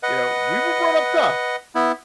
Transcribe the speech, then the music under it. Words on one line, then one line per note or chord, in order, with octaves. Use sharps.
You know, we were brought up tough,
B4 D#5 F#5
B3 E4